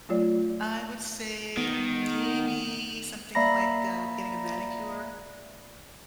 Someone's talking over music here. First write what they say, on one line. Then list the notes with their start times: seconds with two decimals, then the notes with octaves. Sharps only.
I would say, mm, maybe something like, um, getting a manicure,
0.09 F#3 A3 F4 C#5 D5
1.57 D#3 B3
3.35 A#3 D5 E5 A#5 B5 A#6